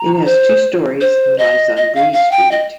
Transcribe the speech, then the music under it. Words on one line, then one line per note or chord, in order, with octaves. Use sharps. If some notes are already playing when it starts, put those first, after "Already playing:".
It has two stories and lies on Bree Street.
Already playing: A#5
C5
C5
D#5
D#5
F5
F5
G5
D#5